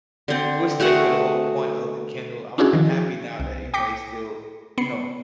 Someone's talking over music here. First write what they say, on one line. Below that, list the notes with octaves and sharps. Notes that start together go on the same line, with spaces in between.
which take away the whole point of the Kindle; I'm I'm happy now that, you know, they still, you know,
D3 C4
A3 F#4 G#4 F#5
C#4 D4 E4 F#4 G#4
D#3 F3
C2
G5 D6 A#6 B6 C#7
B3 C7 C#7